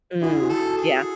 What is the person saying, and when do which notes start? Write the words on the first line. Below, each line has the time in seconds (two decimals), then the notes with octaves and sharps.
Mm, yeah.
0.22 E4 F#4 G#4
0.49 A4
0.77 G#4